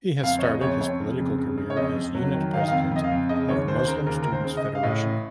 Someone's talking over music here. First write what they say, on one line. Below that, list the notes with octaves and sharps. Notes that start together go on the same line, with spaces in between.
He has started his political career as unit president of Muslim Students Federation.
F2 F5
C#5
C#3 D#5
F2 C#5
F2 C#5
C#3
F2
C#3
C#3
C#5
F2 D#5
F2
F#3
D#3
D#3 F5
D#5
F5
F2
F2 D#5
F5
F2
C#3 D#5
D#2 C#5
D#2 C5
C5
C#3 A#4
D#2 A#4
D#2 A#4
C5
C#3
D#5
C#3
F5
A2 D#5
A1